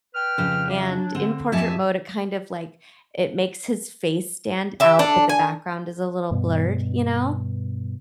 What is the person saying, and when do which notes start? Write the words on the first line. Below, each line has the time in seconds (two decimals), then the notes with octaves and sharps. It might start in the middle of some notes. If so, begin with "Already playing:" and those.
and in portrait mode, it kind of, like, it makes his face stand out, but the background is a little blurred, you know?
0.14 B4 G5 F6
0.38 F2 C#3
0.69 G4 E5 F5
0.90 F#3 D4
1.15 D3 C4
1.52 F2 G4 E5 G#5 A5
4.80 G4 E5
4.99 D4 A4
5.29 G#5
6.31 G2 B2